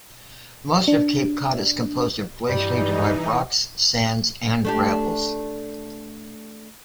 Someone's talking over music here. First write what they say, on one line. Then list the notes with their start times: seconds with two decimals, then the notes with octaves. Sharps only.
Most of Cape Cod is composed of glacially derived rocks, sands, and gravels.
0.88 D4
2.49 G2 E3 G3 D#4
4.65 A3 D4 G4